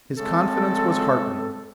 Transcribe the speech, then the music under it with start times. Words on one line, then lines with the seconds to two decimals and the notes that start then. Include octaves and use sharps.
His confidence was heartening.
0.17 C#3 G#3 C4 A4